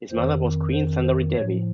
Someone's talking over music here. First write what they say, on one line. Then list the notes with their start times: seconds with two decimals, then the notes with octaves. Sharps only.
His mother was queen Sundari-Devi.
0.11 F2 D#3 C5
0.73 C5
1.03 C5
1.35 A2 F3 C#5